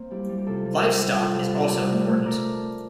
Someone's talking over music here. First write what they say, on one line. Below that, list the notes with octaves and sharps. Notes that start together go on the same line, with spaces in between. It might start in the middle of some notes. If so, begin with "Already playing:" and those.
Livestock is also important.
Already playing: A#3 C4 A#4
G3 E4 G4
G3
G4
C3 F4 A4
G3
G3
G3
C3 F4 A4
G3
C3 A#4 D5
G3
A3
A3
A3 A#4 D5